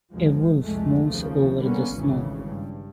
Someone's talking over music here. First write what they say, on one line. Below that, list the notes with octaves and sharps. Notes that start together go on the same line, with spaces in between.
A wolf moves over the snow.
C#2 F#2 F3 G#3
C2 F2 A#2 G#3 A3
D#2 C#3 F3
D3 G3 A#3 B3 C#4
G#1 D2 C#3 E3
G2